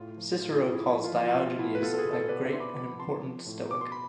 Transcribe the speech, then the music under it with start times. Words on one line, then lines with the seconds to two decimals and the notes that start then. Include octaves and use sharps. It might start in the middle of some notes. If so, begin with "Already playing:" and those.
Cicero calls Diogenes "a great and important Stoic".
Already playing: A2 F4
0.17 F3
0.41 A2 F4
0.52 G#4
0.57 F4
0.64 A2
0.72 E4 G#4
0.88 F3 E4
1.04 F4
1.12 F3
1.19 F4
1.35 B2 F4
1.59 B2 E4
1.75 B4
1.82 B2 F4 A4
1.94 A4
1.97 G#4 B4
2.05 B2
2.13 A4 C5
2.29 B2 B4 D5
2.45 C5 E5
2.53 B2 C6
2.60 B5 D6
2.76 F3 B5 D6
2.99 C3 A5 C6
3.24 F3
3.46 A2
3.71 B2 D6
3.81 C6
3.92 B5